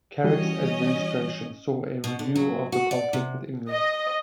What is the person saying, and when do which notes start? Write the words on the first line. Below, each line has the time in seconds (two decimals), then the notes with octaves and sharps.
Carrick's administration saw a renewal of the conflict with England.
0.24 E3 G3 C#4 F#4 D#5
2.04 B2
2.19 D3
2.36 F#3
2.72 F#4
2.91 D5
3.13 C3
3.69 D#5